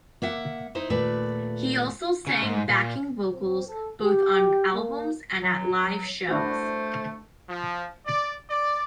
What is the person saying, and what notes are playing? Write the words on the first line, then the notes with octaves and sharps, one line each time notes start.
He also sang backing vocals, both on albums and at live shows.
A#3 E5 F#5
D#4 E4 C5
D#2 A#2 A3 B4 D5
C#3
G#2
A#2
C4
A4
G4
A#3
F#3
A3 D4 E4 F#4 C5
F3
D5
D5